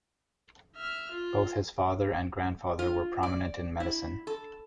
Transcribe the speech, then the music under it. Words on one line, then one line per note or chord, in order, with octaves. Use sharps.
Both his father and grandfather were prominent in medicine.
E5 F6
F4
F4
D5
E4
A4